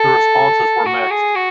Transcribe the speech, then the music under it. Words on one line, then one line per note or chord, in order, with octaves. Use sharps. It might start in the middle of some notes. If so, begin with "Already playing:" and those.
The responses were mixed.
Already playing: A4
F#4
G#4
F#4